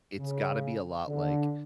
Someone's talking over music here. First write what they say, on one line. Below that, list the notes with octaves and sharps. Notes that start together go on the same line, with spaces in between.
it's gotta be a lot like
C#3
D3